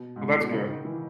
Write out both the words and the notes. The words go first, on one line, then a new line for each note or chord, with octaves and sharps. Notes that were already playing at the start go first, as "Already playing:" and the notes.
Oh, that's good.
Already playing: B2
G#2
A2
B2
C#3
D#3
E3